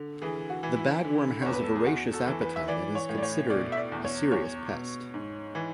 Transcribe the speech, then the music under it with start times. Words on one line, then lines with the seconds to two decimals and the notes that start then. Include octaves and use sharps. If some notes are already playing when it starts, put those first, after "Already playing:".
The bagworm has a voracious appetite and is considered a serious pest.
Already playing: D3
0.22 E3 G#4
0.50 F#4
0.63 E3
0.76 E4
1.05 D3
1.42 E2 C#5
1.53 B4
1.63 A4
1.76 G#4
1.86 E2 F#4
2.13 A4
2.27 E3
2.41 B4
2.56 E5
2.68 E3 D5
2.95 C#5
3.09 A2
3.18 D5
3.23 C#5
3.50 B2 D5
3.72 E5
3.77 D5
3.92 E2
4.04 C#5
4.32 E2 C#5
4.73 B2
5.14 G#2
5.55 E3